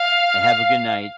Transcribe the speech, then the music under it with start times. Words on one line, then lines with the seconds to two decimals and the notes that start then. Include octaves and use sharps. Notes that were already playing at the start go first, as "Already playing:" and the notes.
And have a good night.
Already playing: F5